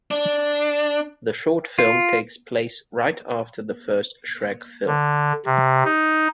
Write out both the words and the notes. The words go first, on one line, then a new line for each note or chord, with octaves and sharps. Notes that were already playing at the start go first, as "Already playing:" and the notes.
The short film takes place right after the first Shrek film.
D4
F4
D3
C3
D#4